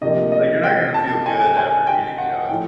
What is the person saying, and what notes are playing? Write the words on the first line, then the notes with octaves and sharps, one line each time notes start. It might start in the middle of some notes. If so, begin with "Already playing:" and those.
like, you're not gonna feel good after eating, you know, a
D2 C3 F3 A#3 D#5
D#5
G5
A5
G#5
G#5
G5
F#5
A2 F3 A3 G5